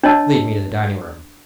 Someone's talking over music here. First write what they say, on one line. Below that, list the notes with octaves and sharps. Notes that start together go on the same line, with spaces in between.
"Lead me to the dining-room."
D4 C#5 D#5 A5 E6